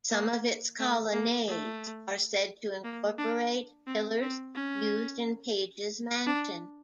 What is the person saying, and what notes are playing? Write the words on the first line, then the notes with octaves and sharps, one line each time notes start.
Some of its colonnades are said to incorporate pillars used in Page's mansion.
A#3
A3
A#3
A3
A#3
D4
C4
C4
C#4
D4